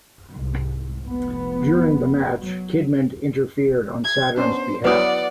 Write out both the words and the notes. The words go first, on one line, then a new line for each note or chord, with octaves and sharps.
During the match, Kidman interfered on Saturn's behalf.
C2 G#2
F1 B3
F#3
G#6
B3 C#4 D4 C5
F#3 B3 E4 B4 D5 F#5 D#6